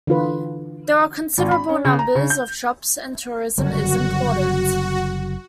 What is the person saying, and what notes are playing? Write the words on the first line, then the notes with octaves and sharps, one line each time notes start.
There are considerable numbers of shops, and tourism is important.
D3 E3 F4 B4
G#1
B5
C#4
C#3
A#5
C#3
G6
F#1 D3 G3 F#4